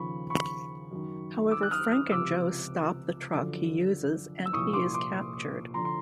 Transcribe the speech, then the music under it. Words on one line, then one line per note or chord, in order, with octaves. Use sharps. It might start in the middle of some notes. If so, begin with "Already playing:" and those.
However, Frank and Joe stop the truck he uses and he is captured.
Already playing: D#2 C#3 F3 B5 C#6
B5 C#6
F#2 D#3
D6 E6
F#6
D#6 F6
D#6 F6
C#2 C3 F3 D6 E6
F#2 D3 F3
E6
C2 A#2 F3 C#6 D#6
C6 D6
C6 D6
D3 F3 A#5 C6
C6